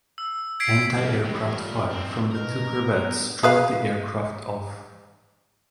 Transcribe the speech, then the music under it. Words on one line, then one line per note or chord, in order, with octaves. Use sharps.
Anti-aircraft fire from the two corvettes drove the aircraft off.
E6
G#6 B6 C7 D7
D3 G3 A#3
E3 G#3
A#2 A#4
C4 D4
B2 A#4
G2 B3
G#4 B4 F5